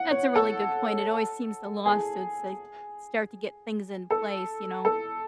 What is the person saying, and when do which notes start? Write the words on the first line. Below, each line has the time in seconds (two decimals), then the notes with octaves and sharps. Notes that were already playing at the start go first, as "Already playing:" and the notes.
That's a really good point, it always seems the lawsuits, they start to get things in place, you know
Already playing: F#5
0.11 C#5
0.36 A4
1.86 G#4
4.11 A4
4.85 A4